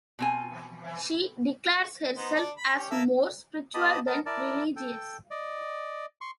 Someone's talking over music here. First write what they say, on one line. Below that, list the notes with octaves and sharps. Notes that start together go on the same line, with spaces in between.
She declares herself as more spiritual than religious ...
B2 C4 G#5
B3 D#4 C5
D4 D5
B5
C#4 G4
A#3 E5 A5
B3 G4 D#5 A5 B5 D#6
B3 A#4 D#5 A5
E4 A#4 D5 A5
A4 G5
D5 D#5
C6 C#6